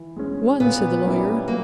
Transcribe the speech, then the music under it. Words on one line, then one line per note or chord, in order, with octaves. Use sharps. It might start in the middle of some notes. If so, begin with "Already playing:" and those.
"One," said the lawyer.
Already playing: E3
G#3 C#4
A#2 B3
G3 A#3 C#4 E4
F#3 A#3